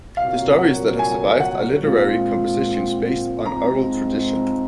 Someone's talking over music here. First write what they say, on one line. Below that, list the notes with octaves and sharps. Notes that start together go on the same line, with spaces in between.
The stories that have survived are literary compositions based on oral tradition.
C2 A#2 F#3 F5
F#5
G#5
F#5
A#2 G#3 C4 F4
G#2 F3 G#3 C4 A#5